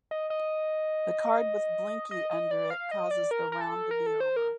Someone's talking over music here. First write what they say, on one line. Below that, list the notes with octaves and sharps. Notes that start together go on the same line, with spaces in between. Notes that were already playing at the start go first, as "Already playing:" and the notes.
The card with Blinky under it causes the round to be over.
D#5
D#5
D#5
D#5
D5
F5
D#5
D5
A#4
A#4
A4
A#4
A4
C5
A#4